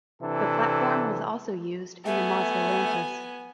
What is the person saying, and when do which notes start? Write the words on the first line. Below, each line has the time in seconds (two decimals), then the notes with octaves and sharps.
The platform was also used in the Mazda Lantis.
0.22 C3 E3 D4 A4
2.06 A3 B3 E5 G#5